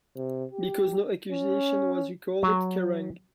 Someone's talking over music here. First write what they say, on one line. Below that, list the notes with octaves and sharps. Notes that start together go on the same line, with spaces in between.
Because no accusation was recorded, Kerrang!
C3
G4
C#4
F#3